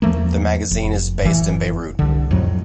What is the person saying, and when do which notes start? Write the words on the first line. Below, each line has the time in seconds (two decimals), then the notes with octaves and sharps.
The magazine is based in Beirut.
0.02 E2 F3 A3 A#3
0.71 F1
1.22 F#1 A2 E3
1.99 C2 D3
2.31 F2 A2 F#3